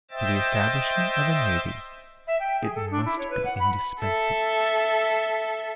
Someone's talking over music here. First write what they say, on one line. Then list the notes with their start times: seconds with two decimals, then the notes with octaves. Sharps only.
To the establishment of a navy, it must be indispensable.
0.11 C5 D#5 E5 G5 E6 A6
2.27 E5
2.40 G5
2.62 G#4
2.75 A4
2.91 D4
3.05 E4
3.18 C#5
3.30 B4
3.45 F#5
3.59 B5
3.99 A4 E5